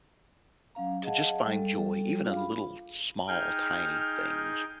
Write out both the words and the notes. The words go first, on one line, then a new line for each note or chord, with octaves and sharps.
to just find joy, even in little, small, tiny things.
F#3 C#4 F5 A#5
G#4 D#5 F5 F#5 A5
G3 A4 G5
D4 F4 G#4 F5
B5
D#4 G#4 G5 F6